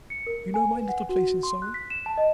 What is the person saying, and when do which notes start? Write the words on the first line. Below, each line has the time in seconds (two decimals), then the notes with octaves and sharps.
You know my little place in Surrey?
0.10 C#7
0.27 A#4
0.54 G#5
0.75 B4
0.89 F#5
1.09 F#4
1.43 C6
1.62 F#6
1.74 B6
1.90 E7
2.06 A5
2.18 D#5